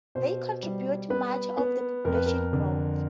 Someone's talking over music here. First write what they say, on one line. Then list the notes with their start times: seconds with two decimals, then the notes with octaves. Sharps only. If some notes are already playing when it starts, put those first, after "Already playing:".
They contribute much of the population growth.
0.15 B2 C5
0.63 G3
1.10 B3 B4
1.57 B3
2.05 F2 A#4
2.15 B4
2.26 A#4
2.53 D3